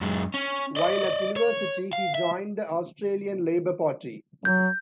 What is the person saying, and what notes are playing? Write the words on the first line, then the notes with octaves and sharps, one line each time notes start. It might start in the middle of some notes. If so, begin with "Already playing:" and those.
While at university, he joined the Australian Labor Party.
F#2 G#3
C#4
D5 D#5
C#5
F5
E5
F#3 G6